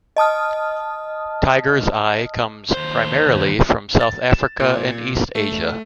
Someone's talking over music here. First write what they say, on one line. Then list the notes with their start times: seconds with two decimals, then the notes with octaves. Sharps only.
Tiger's eye comes primarily from South Africa and east Asia.
0.16 D#5 A5 D#6 F6
2.73 D#2 C5
4.01 A6
4.31 E7
4.60 A#2
5.35 A3